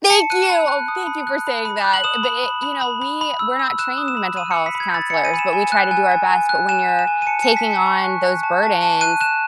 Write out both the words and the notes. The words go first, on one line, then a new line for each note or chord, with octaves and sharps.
Thank you! Oh, thank you for saying that e but e You know, we we're not trained mental health counselors, but we try to do our best, but when you're taking on those burdens,
A5 C#7
F#6 D#7
B5
F#6
D#6
B5
F#6
B5
B5
F#6
F#7
D#6 E7
B5
B5
B5
B5
B5
B5
E6
E6
F#6 E7
D#6
E7
B5
B5 D#7
C#7
B5
B6
B5
G#6
B5 A6
C#7
G#5
D#7
B5
E7
G#5
F#6
G#5
G#5
G#5
F#6
G#5 E7
G#5
E7
G#5
D#7
A5 C#7
C#7
A5
B6
A5 C#7
C#6
F#6
F#6
A5
A5
A5
F#6 D#7
F#6 E7